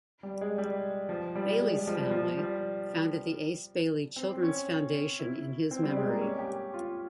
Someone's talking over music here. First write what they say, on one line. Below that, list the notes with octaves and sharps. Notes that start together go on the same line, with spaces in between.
Bailey's family founded the Ace Bailey Children's Foundation in his memory.
G3
G#3
G3
F3
G3
G#3
G#3
F3
G3
F3
G3
C4
C#4
E4
C4
G3
G#3
A#3
C#4
G4
F4